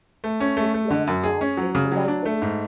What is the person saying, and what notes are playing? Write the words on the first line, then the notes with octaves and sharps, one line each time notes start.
Its mascot is the Viking.
A3
C#4
A3
A3
D3
F#2
G#4
C#4
F#3
C#3
F#3
D4
A3
G#2